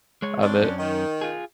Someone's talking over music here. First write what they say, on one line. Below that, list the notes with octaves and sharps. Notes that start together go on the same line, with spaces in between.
of it.
G#3 C#5
C4 D4
F#2 C#4
D#3
F4 G#4